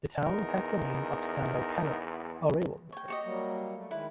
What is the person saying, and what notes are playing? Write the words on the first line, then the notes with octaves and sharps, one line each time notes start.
The town has the name of Samuel Cameron, a railroad worker.
E2 D#4 A#4
C#5 G5
F#4 G4 C#5 D#5
F#3 G3 A#3
A3
D#3 G#3 E4 B4